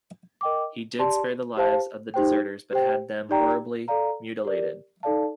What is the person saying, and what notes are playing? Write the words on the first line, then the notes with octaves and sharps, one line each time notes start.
He did spare the lives of the deserters, but had them horribly mutilated.
A#4 D#5 G5 D6
G4 D5 A5 C6
G4 C5 F5 A5
D#4 G4 C5 G5
G4 C5 G5
D#4 G4 D5 G5 A#5
A4 D5 F5 A#5
G4 A#4 D5
D#4 A4 D5 F5 A5